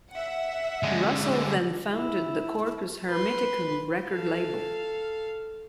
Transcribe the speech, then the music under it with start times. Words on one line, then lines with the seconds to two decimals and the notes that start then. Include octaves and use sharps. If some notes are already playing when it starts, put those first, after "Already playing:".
Russell then founded the Corpus Hermeticum record label.
0.12 E5 F#5
0.83 D3 G#3
1.91 E4
3.09 B4 C6
4.11 A4 F5